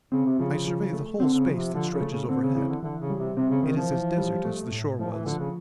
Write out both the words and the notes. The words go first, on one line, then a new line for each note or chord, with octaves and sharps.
I survey the whole space that stretches overhead; it is as desert as the shore was.
C#3 C4
C3
C#3 F3
C#3
F3
A3
D3 C4
D3
C#3
F3
C3
D3 F3
C#3
A3
C#3
D3 C4
C#3
C#3 E3
D3
D3 E3
C#3
G3
C3
C3 C4
C#3
D#3 E3
F3
E3
G3
A3
A2
A2 F3
E3
D3 F3
C#3